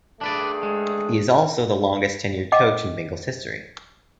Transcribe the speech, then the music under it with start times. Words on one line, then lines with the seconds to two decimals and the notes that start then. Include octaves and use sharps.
He is also the longest tenured coach in Bengals history.
0.21 G2 A3 D4 G#4 B4 D5
0.63 G#3
2.52 D#5 F#5 G5 D6